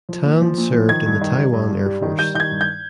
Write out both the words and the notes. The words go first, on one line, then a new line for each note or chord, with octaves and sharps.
Tan served in the Taiwan Air Force.
F3
A#2
F3
A#2
F3
D#3 G#6
G2
D#3
G3
G2
G2
G3
D#3
G3 G6
D#3 G6
G#6
G2
G6